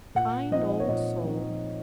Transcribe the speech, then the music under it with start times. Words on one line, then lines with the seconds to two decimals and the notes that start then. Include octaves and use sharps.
Kind old soul!
0.15 A#2 F#5
0.51 F3 C4 D#4 D#5
0.80 C#5
0.88 A#2 D#5
1.24 F3 C4 D#4